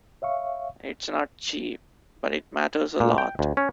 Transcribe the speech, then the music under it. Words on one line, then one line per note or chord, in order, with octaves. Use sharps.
It's not cheap, but it matters a lot.
C#5 E5 F5 C#6
A#2
G5
D2
C#4